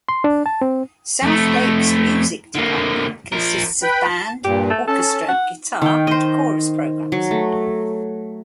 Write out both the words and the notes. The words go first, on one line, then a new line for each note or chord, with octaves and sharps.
South Lakes' music department consists of band, orchestra, guitar and chorus programs.
C6
D4
A5
C4
F2 A3
D3 A#3
F3 A#4
B4 G5 B5
A5
G2 A#2 G4
A3
C#4 A4 A5
F#5
D#3 G5
C5 D#5
F#3
A3